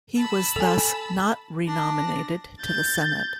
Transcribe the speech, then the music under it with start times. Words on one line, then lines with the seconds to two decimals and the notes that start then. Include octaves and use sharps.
He was thus not renominated to the Senate.
0.16 A5 B5 E6
0.56 A4 G#5
1.67 D4 A#6
2.61 G6 A6